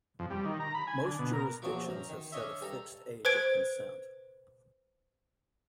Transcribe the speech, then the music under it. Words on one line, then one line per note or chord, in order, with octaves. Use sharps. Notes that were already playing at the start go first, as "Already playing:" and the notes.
Most jurisdictions have set a fixed age of consent.
F2
G3
D#3
A#5
B5
G#5
D3
B2
A#4
A#1 E2 F3 F#3 F#4 D6
F#2 A#5
D#3
C#4 D4 C#5 D#5 E5
G2 A4 A#5
B4 C5 G#6 D7